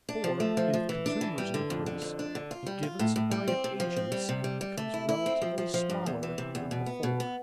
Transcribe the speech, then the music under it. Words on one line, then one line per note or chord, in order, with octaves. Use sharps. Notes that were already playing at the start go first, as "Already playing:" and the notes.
For, if consumers increase, a given supply of agents becomes relatively smaller than before.
D4
F3
A3
F3
F3
E3
D4
E3
G3
D3
F2
D3
F2
D4
D3
F4
G3
F4
A2
A2
G3
C4
C3
F3
C4
G3
C3
G3
G3
A3
E4
E4
C4
F3
F3
F3
G2
E2
E3
C3
E2
B2
B3
B2
B3